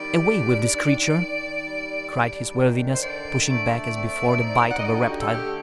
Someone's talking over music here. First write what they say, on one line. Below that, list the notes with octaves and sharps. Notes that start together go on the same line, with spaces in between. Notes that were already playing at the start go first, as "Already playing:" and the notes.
"Away with this creature!" cried his worthiness, pushing back as before the bite of a reptile.
Already playing: D#3 G3 D5
D4
D#3
D#3
G3
D4
D#3
C5
D3 D5
A3
C4
D#4
F#5
D#5
D3 D5
F#4
G4
A4
A3 G4